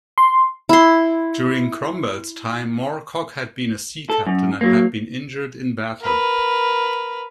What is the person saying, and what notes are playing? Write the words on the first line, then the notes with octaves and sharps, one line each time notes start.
During Cromwell's time Morecock had been a sea-captain and had been injured in battle.
C6
E4 C6
A4
F#2
F#3 A#3
A#4 B4